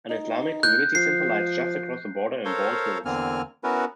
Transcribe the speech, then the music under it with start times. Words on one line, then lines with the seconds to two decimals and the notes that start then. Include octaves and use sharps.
An Islamic community centre lies just across the border in Bald Hills.
0.10 D#4
0.63 F#6 G6
0.95 F3 C7
2.45 A4 A#4 C5 C#5 F5
3.05 E2 D3 A#3 C4 G#5 F6
3.64 B3 C#4 E4 F#4 A#4 B4